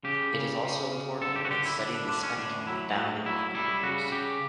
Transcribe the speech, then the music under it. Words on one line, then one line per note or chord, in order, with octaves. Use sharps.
It is also important when studying the spectrum of bounded operators.
C#3 G4
C#3
C#3
C#3
D3 A4
G4
F#4
D3 G4
E4
D3 D4
D4
D3 D4
C#4
A2 D4
F#3 E4
A2
F#3 E4
G3 E4
C#3 F#4
C#3 G4